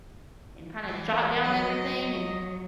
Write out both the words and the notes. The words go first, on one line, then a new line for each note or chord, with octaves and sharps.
and kinda jot down everything and,
E2
F#3 D#5